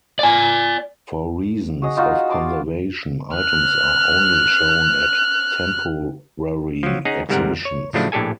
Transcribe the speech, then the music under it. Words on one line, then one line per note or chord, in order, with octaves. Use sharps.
For reasons of conservation items are only shown at temporary exhibitions.
D5 G#5
F#4 G#4 D#5
D#4 F4 F#4
D5 A5 C6
F6 F#6
F3 F#3
C#4 D#4 G#4 F#5 A#5
G1 G#2 C3 G3 A#4 F#5
C#5
A2 C#3 F3 F#3 A3 D4
A#1 A2 D4 G4 A4 G#5